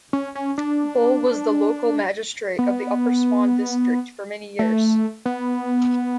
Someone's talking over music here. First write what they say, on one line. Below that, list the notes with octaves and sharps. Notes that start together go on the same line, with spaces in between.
Bull was the local magistrate of the Upper Swan district for many years.
C#4
C#4
D4
B3
A3
B3